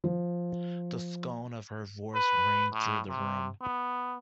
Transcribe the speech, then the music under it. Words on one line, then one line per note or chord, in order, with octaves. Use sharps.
The scorn of her voice rang through the room.
F3
B4
A2
C3
B3